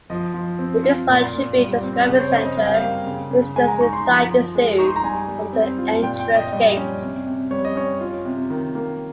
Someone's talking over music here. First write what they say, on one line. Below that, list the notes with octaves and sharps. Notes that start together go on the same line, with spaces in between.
The Bismarck Tribune Discovery Center is just inside the zoo from the entrance gate.
F3 D#5
F3
C4
F4
A#2
A#2
G3
C4
C#3
C5
C#5
C#3 D#5
D#5
G3 F5
G5
F5
A#3
C#3
C#3
G#3 G#5
A#5
D#4 C#6
C6
F3 A#5
F3
G#3
D#4 C#6
C6
A#5
G3 G#5
G3
C4
F4
A#2 G5
G5
A#2
D#5
G3 D#5
C#4
C3
C3
G3 C#5
D#5
C#4 C#5
F4
C3
D#3
A#3